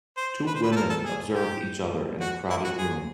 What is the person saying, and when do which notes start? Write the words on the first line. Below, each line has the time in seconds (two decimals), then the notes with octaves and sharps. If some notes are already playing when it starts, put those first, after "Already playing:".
Two women observe each other in a crowded room.
0.17 C5
0.47 B4
0.55 C5
0.62 B4
0.72 A4
0.76 A#4
0.89 A4
1.05 G#4
1.33 G4
2.20 F#4
2.50 E4
2.64 F#4
2.78 G#4